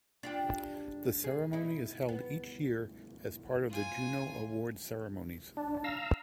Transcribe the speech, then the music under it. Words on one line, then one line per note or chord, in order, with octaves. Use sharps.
The ceremony is held each year as part of the Juno Award ceremonies.
D4 F4 G4
G#4
D#4 E4
B3
F4 G#5
D4
F5 A#5 E6